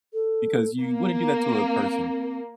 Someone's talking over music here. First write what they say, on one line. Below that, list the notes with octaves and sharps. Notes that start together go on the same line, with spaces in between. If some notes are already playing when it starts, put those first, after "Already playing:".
because you wouldn't do that to a person.
A4
A#3 B3
C4